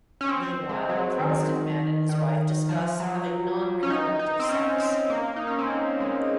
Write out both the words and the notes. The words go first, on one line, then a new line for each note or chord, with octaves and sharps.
Meanwhile, a Protestant man and his wife discuss having non-reproductive sex.
C#4
C4
G#3
F#3
D#3
D#3
F3
F#3
C#4
D#4
D#4
C4
C#4
C4
A#3
D#4
C#4
C4
A#3
G#3